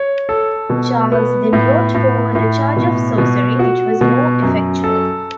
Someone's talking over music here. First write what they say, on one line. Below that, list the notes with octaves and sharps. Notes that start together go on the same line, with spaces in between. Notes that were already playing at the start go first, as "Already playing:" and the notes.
Charles then brought forward a charge of sorcery which was more effectual.
Already playing: C#5
A4
B2
B3
A2
A2
A2
B2
B2
F#4
B2
F#2
A4